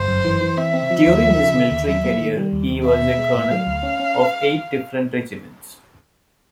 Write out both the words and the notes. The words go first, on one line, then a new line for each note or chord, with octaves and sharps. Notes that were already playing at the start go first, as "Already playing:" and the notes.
During his military career he was colonel of eight different regiments.
Already playing: G1 C5
F#2
E3
E3
C4 E5
C4
F3
D#2
F3
C#3
D3
D#2
F#3 E5
A#3
D#3
G3
D#2
D#2
B3 E5
B2
G#3
A2
F#3 F5
D2
C#4
C#4